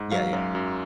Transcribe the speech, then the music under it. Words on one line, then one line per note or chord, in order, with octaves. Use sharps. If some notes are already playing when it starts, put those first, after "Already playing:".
Yeah, yeah.
Already playing: G#2
F#3 F5
F#2
F#2